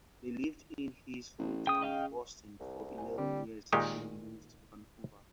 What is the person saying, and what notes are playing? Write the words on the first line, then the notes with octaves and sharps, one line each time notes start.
They lived in his hometown, Boston, for eleven years and then moved to Vancouver.
A1
C#3 G5 D#6
D#5 F5 G5
C2
C5 G#5
D3 G3 C4 D4
A#2 D#3 G#3 D#4 G4